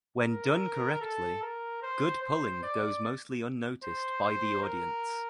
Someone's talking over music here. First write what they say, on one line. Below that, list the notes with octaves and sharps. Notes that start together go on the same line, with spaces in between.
When done correctly, good pulling goes mostly unnoticed by the audience.
A#4
A4
A#4
C5
C5
D5
C5
C5
A#4